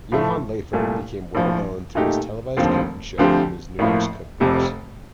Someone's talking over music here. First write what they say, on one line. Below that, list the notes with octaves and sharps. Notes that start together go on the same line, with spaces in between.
Johann Lafer became well-known through his televised cooking show and his numerous cookbooks.
A2 F3 A3
C2 A#2 A3
A#1 A2 F3
A#2 A3 D#4 G4
F1 D#2 D3 F3 C4
D2 D3 F3 C4 G4
A1 A2 F3 A#3
F1 F2 C3